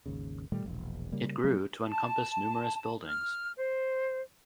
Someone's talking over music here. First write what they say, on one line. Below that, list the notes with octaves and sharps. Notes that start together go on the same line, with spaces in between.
It grew to encompass numerous buildings.
G#1 D#2 C#3
A#2 D#3 G3 A3
E1 A#1
C#3 G3 A#3
F#3 G3 A3 B3
A5
F6
C5